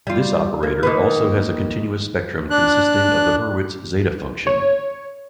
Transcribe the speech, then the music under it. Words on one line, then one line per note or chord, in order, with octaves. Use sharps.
This operator also has a continuous spectrum consisting of the Hurwitz zeta function.
G3 F4
A#3
D#3 A#3 B4
D4 F#6
C#5